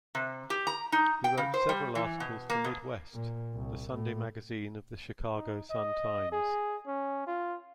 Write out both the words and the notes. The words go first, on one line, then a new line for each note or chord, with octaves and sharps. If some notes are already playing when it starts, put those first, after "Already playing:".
He wrote several articles for "Midwest", the Sunday magazine of the "Chicago Sun-Times".
C3
G4
A#5
D#4
G5
C#3
C5
G3
E3
B2
A#3
B2
A#2
C2
A2
D#4
D#5
G#4
C#4
F4